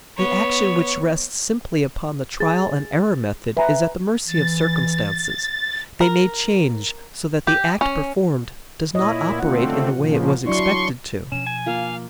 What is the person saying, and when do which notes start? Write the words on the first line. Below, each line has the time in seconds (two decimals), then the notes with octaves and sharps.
The action which rests simply upon the trial and error method is at the mercy of circumstances; they may change so that the act performed does not operate in the way it was expected to.
0.17 B3 C#5
2.40 G#4 A6
3.57 B4 E5 G#5 A#5
4.27 E3 A6
6.01 A#4
7.47 G4
7.81 C#4
8.95 A#2 E4 C#5 D#5
9.39 D3 A3 C4 F4 F#5
9.93 A#2 C#3 F3
10.46 F#3 D4 E4 C6 C#6
11.32 B2 F3 C#4 D4 E7
11.47 G#5
11.66 A#3 F4 F5